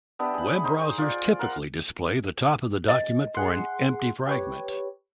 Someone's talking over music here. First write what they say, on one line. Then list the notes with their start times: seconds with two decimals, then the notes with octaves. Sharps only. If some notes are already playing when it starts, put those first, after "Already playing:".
Web browsers typically display the top of the document for an empty fragment.
0.19 B3 D4 G4 E5
0.34 G#4 B5
0.64 D#4 C5
0.98 F4 D5
1.39 A#4 F#5 C6
2.89 D#5
3.35 G#4 F#5 C6
4.27 G4 B4 C#5